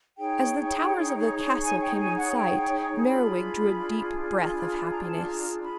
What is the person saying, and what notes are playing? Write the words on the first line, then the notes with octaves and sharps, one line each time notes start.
As the towers of the castle came in sight, Merriwig drew a deep breath of happiness.
D#4 G#4 C#5 G5
G#5
G5
G#5
F#5
G5
D4 F4 G#4 B5
B5
B5
A#5
G#5
A5
A#5
B5